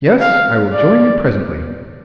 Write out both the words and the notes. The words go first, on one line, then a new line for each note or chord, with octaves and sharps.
"Yes, I will join you presently."
F5
D5